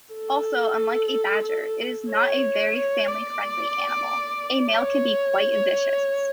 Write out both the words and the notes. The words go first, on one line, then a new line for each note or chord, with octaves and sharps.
Also, unlike a badger, it is not a very family-friendly animal, a male can be quite vicious.
A4
C#5
C#5
D5
C#5